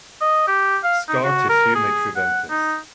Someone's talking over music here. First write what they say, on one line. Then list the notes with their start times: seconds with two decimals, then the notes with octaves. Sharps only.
Scar tissue may prevent this.
0.21 D#5
0.48 G4
0.83 F5
1.08 D#4
1.24 F#4
1.49 A#4
1.75 G#4
2.16 F#5
2.50 D#4